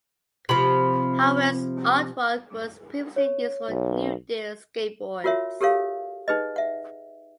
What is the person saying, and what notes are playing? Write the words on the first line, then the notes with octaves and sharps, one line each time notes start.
Howell's artwork was previously used for New Deal Skateboards.
C3 F3 B5
C#5
B1
F4 F#4 A#4 C#5 E5
G4 A4 A#4 C#5 F5
D#4 G#4 B4 D#5
E5 F#5